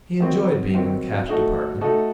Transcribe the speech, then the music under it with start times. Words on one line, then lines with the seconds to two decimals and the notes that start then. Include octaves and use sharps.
He enjoyed being in the Cash Department.
0.20 D#3 F#3 C4 F#4
0.74 D#3 F#3 C4 F#4
1.28 A3 D#4 F#4 A4
1.81 A3 D#4 F#4 A4